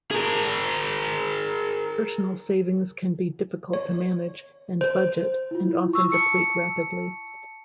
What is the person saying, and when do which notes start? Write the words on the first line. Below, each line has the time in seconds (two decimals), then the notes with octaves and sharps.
Personal savings can be difficult to manage and budget and often deplete rapidly.
0.11 G#4 A#4
3.73 C#5
4.81 C5
5.51 E4 F4
5.93 C#6 E6
6.12 A5 C#7